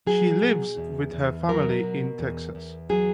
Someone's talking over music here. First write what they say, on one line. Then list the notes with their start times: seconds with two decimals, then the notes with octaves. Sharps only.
She lives with her family in Texas.
0.06 F#3 G#4
0.42 B2
0.77 E2
1.13 E2
1.49 F#3 A#4
1.83 B2
2.19 E2
2.55 E2
2.90 F#3 G#4